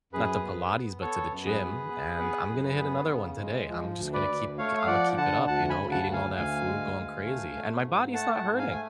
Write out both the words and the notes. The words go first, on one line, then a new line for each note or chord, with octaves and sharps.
not to Pilates, but to the gym, and I'm gonna hit another one today. I'm just gonna keep, g Imma keep it up, you know, eating all that food, going crazy, and my body's not hurting.
F#2 G#4 B4
B3
B3
B3 A4 C#5
F#2
G#4 B4
B3
B3
B3
F#2
B3
C#3
G#3
F3
D2
B4 D5
D2
A3 C#5 F5
F5
F3 D5 F#5
D3 F#5 A5
D2 F#5 A5
G#5 B5
C#3
F#5 A5
D2
F5 G#5
D2 F5 G#5
G#3
D2
A3
A3
G#2
A3 F#5 A5
F#5 A5
G#2
F5 G#5
A3 G#5